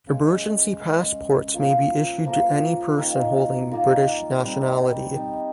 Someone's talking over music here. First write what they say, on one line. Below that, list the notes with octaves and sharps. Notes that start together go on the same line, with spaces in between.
Emergency passports may be issued to any person holding British nationality.
C#3 G#3 C#4
C#3 G#3 C#4
F3 A#3 F4 A#4
F3 A#3 F4 A#4
D#3 A#3 F4 A#4
D#3 A#3 F4 A#4
G3 C4 D#4
G3 C4 D#4